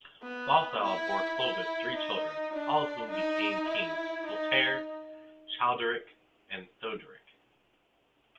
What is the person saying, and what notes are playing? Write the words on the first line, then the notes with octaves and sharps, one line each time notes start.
Balthild bore Clovis three children, all of whom became kings: Clotaire, Childeric and Theuderic.
B3
E4
E4
D#4
D4
D#4
E4
D#4